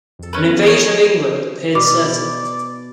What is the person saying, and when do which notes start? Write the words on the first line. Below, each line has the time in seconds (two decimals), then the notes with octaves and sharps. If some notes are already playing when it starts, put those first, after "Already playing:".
An invasion of England appeared certain.
0.19 F2 A4
0.33 C#4 B4
0.47 B3
0.63 D#4 C#5
1.75 B2 D5 D6